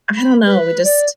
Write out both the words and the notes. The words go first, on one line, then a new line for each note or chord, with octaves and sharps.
I don't know, we just
B5
B4
D5